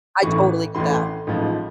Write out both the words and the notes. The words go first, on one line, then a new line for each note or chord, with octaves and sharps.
I totally get that.
A1 A2 E3 C#6
A1 A2 E3 C6
A1 G#2 F3